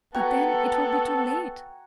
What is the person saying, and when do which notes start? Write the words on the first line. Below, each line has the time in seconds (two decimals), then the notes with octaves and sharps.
But then it will be too late!
0.15 B3 F#4 A4 G5 G#5 A#5